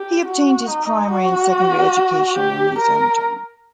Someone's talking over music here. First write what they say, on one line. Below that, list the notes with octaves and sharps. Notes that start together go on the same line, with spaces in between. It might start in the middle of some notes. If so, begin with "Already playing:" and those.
He obtained his primary and secondary education in his hometown.
Already playing: G4
F#4
D#4
F#4
G4
A#4